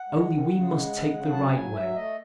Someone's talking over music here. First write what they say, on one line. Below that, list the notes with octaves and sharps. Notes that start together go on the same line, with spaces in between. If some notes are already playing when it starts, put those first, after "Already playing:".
Only we must take the right way.
Already playing: F#5
G#3
D#3
C#3
G#3
C#3
C#3
F#3 A5
F#3 G#5
F#3 E5
A3 D#5